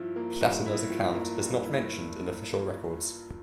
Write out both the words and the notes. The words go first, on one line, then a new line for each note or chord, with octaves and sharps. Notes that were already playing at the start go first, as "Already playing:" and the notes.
Platina's account is not mentioned in official records.
Already playing: G2 F3 E4
A#3
G2
E4
F3
A#3
G2
E4